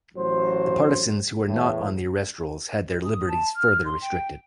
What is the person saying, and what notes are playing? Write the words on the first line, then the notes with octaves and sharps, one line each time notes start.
The partisans who were not on the arrest rolls had their liberties further restricted.
A1 F#3 C5
E2 A2
D#6
A5
F6
C6
G5